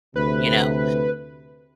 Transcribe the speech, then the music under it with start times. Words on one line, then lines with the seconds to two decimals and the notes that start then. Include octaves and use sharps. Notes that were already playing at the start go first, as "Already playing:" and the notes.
you know?
0.16 D2 C3 B4